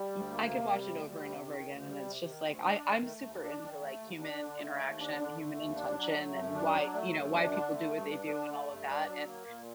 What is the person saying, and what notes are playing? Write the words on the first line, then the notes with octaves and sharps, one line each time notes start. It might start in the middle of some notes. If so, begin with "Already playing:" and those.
y I could watch it over and over again, and it's just like, I I'm super into, like, human interaction, human intention, and why, you know, why people do what they do and all of that. And
Already playing: G3
D2
A#3
C3
G3
D2
G3
C3
D#3
D2
G3
C3
D#3
D2
D4
D#3
A3
D#2
D4
D#3
A3
D#2
D4
D3
A3
D#2
D4
D3
A3
D#2
D4
F#3
A3
F#2
D4
F#3
A3
F#2
D4
D3
A3
G2
D4
D3
A3
G2
D4
F#3
A#3
A#2